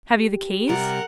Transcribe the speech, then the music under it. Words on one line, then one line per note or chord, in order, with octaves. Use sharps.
"Have you the keys?"
G4
C3 G3 A#4 F#5